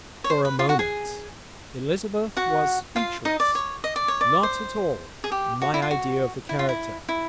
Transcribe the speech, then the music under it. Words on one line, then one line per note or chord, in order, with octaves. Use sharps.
For a moment Elizabeth was speechless--not at all my idea of the character.
C#5
C5
B4
F4 F5
F#4 F#5
G#4 G#5
F#4 F#5
F4 F5
D#4 D#5
D5
C#5
D#5
D5
C#5
D5
C5
G#4
G4
F#4
E4
F4
F#4
E4
F4
E4
E4